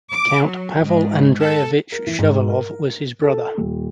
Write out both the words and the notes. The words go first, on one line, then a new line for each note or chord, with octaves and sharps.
Count Pavel Andreyevich Shuvalov was his brother.
D6
F#3
G#2
A4
A#4
E3
G#2
A#4
A4
D#1